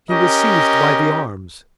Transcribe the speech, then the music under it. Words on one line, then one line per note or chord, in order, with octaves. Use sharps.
He was seized by the arms.
C#4 G4 A#4 D#5